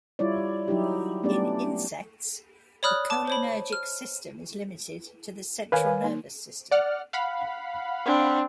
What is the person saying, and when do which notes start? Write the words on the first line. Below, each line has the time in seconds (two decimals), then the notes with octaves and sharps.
In insects, the cholinergic system is limited to the central nervous system.
0.19 G3 E4 F4 C#5 D5
0.68 F#3 D#4 E4 G4
1.23 A3 B3 C#4 D4 G4 D5
2.83 C#5 D5 B5 D#6 F6 F#6
3.10 A5 D6
3.27 C5 C#5 B5
3.73 F6
5.72 D#3 A#4 B4 C#5 F5 G#5
6.01 A#3 D#4
6.71 D5 F#5 F6
7.13 F5 F#5 B5
8.05 C4 D4